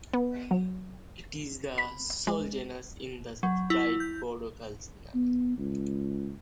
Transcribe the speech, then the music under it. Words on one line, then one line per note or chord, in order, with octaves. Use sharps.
It is the sole genus in the subtribe Podocalycinae.
B3
F#3
B5
G#3
F#3
E4
G6
B3
C#2